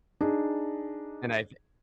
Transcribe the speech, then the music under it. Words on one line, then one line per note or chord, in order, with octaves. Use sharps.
And I th
D4 D#4 G#4